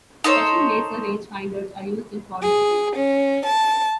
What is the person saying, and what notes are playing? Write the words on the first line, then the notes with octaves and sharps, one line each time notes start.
Special laser rangefinders are used in forestry.
D#4 A4 C5 C#5
G#4
C#4
A5